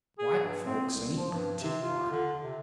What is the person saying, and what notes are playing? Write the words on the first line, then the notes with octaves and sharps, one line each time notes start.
White folks ain't partic'lar.
G#4
G2
C4
C2
F3
G2
C3
F4
D3
C3